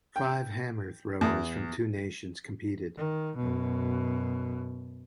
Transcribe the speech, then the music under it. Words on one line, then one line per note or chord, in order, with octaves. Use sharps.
Five hammer throwers from two nations competed.
G5
E2
D#3
F#2 B2